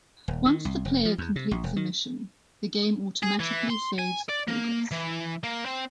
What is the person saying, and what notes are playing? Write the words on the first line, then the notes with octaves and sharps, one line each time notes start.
Once the player completes a mission the game automatically saves progress.
D#1
D#3
C2
F1
F3
E2
C3
A#1
E1
D#3
G#4
E3
C6
G#5
D5
A#3
E3
A#3
C4